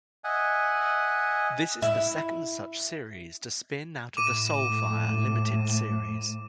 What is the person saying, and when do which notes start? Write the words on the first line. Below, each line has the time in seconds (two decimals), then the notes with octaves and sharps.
This is the second such series to spin out of the Soulfire limited series.
0.24 D#5 E5 F#5 G#5
1.82 E4
4.17 A2 D6 D#7